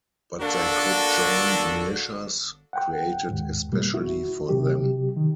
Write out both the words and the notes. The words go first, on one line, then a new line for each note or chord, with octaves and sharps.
But they could join militias created especially for them.
A#3 D4 F#4 A4
F#5 G5
D#2 G#2
B2 G3 A#3
E4 F#4
C3 F#3 G4
D#3